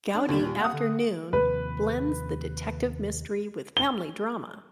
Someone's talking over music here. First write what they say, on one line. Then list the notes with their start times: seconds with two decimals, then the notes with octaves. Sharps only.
"Gaudi Afternoon" blends the detective mystery with family drama.
0.15 D4
0.29 D#2 D3 G3
0.41 A#2
0.60 A#3 F#5 D#6
0.73 D3
1.33 D#2 C3 F3 B4
3.77 G7